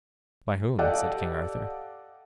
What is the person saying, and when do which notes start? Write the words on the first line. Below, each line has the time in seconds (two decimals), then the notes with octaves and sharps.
By whom? said King Arthur.
0.79 G4 A4 D5 D#5 F5 F#5